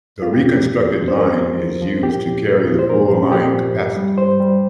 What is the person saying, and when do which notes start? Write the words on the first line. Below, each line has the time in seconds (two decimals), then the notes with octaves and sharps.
The reconstructed line is used to carry the full line capacity.
0.22 F4
0.33 F2 G4
0.55 F3
0.75 F2
0.97 F3
1.08 C5
1.18 F2 A#4
1.40 F3
1.61 F2
1.82 F3
2.03 A#2 G4
2.25 F3
2.46 A#2
2.68 F3
2.79 C5
2.90 A#2 A#4
3.10 F3
3.32 A#2 G4
3.54 F3
3.75 G2
3.97 G3
4.18 G2 C5
4.40 G3